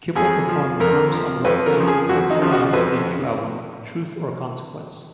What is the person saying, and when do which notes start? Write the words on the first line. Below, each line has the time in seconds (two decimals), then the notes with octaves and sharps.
Kippel performed Drums on rock band Open Your Eyes debut album "Truth or Consequence".
0.15 F2 G#4
0.49 F3
0.80 F2 A#4
1.12 F3
1.45 F2 B4
1.66 A#4
1.77 C#3 F3
1.88 G#4
2.09 F2 F#4
2.31 D#4
2.41 C#3 F3
2.52 F#4
2.73 F2 B4